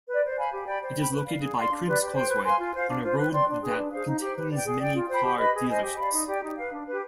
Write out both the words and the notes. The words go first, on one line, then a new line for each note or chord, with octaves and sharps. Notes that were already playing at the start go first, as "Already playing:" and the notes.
It is located by Cribbs Causeway, on a road that contains many car dealerships.
B4 D5
C5
F5 G#5 B5
G4
D5 G5 B5
C5
G5 B5
B4
D5 F5
G#4
D5 F5 C6
D4
G4 B4 D5
G4
C5 G5
B4
F5 G#5 C6
F4
C5 F5
D4
F4 C5
B4
D5 G5 C6
D4
G#4 B4
D4
G#4 C5 F5
D#4
G4 C5
B4
D5 G5
G#4
D5 G5
F4
C5 G5 B5
G4
B4 D#5 B5
G#4
C5 D#5 G#5
G4
D5 F5 B5
D#4
G4 D5 G5
D#4
B4 F5
D4
G4 B4